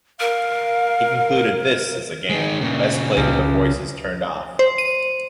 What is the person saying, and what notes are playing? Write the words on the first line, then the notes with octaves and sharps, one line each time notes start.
He concluded This is a game best played with the voices turned off.
A#4 F5
D#3 G#3
A#2 C#3
C#2
C5
D#7